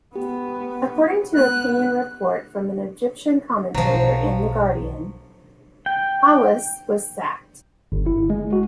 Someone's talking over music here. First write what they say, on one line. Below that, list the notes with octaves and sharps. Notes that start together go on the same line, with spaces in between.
According to opinion report from an Egyptian commentator in "The Guardian," Hawass was "sacked".
B3 G4
B3 F#6
B1 F3 F#3
G5
G1
E4
G#3
F#4